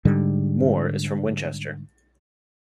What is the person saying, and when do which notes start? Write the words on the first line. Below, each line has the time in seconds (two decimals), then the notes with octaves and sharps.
Moore is from Winchester.
0.05 G#2 D3 G3